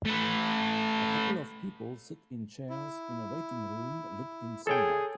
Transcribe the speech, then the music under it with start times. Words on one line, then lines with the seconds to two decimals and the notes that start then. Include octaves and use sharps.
A couple of people sit in chairs in a waiting room lit in sunlight.
0.06 A3 B4
2.70 E4
4.67 G#4 A4 C#5 G5